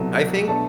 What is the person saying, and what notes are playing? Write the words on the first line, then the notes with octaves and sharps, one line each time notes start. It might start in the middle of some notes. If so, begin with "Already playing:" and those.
I think
Already playing: C2 B2 F#3 A3
B2 A3 D4 A5